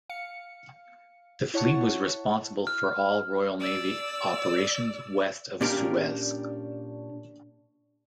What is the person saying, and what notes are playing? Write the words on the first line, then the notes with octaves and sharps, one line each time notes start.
The fleet was responsible for all Royal Navy operations "West of Suez".
F5 C#7
E4 C#5 F#5 A5 C#6
F6
D5 E6
A#2 C#4 D4 G4 A#4